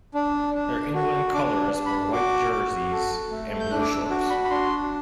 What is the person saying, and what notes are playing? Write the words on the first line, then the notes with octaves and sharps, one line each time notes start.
Their England colours were white jerseys and blue shorts.
D4
D4
F#4
D4 D6
D4
B5
F#4 D6
F#4
A4
A3
G6
D4 F#6
D6
E6
F#4 D6
B5
B5
D4 C6